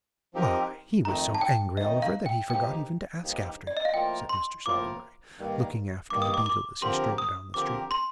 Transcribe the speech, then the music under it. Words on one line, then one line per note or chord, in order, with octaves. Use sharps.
'Why, he was so angry, Oliver, that he forgot even to ask after you!' said Mr. Sowerberry, looking after the beadle as he strode down the street.
F3 C4 D#4 G4 A#4
F2 D#3 A3 D#4 A#5
A5
G5
F2 D#3 A3 D#4 D#5
F5
G5
G2 F3 A#3 D#4 G4 G5
G2 F3 A#3 D#4 G4
D5
D#5
F5
A2 F3 A#3 F4 A#4 G5
C6
A2 F3 A#3 F4 A#4 D6
G2 D#3 G3 A#3
G2 D#3 G3 A#3 D6
D#6
D6
D6
D3 F3 C4 G4 A#4 C6
D#6
D3 F3 C4 G4 A#4 D6
C6